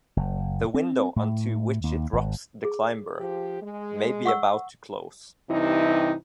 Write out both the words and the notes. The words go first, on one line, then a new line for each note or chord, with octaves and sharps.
The window onto which it drops the climber may be about to close.
F#1
C4
A2
D#2
G#1
G#4
F3 G4
G#3
F#5 C#6 E6
G2 C3 E3 D#4 E4